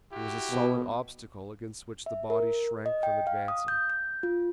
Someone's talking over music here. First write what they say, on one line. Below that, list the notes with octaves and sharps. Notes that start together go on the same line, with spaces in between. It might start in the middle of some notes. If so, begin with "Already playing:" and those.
It was a solid obstacle against which the body shrank from advancing.
E4 F#4 G4
B2
E5
A#4
D#5
G5
F5
D#6
G6
G6
F4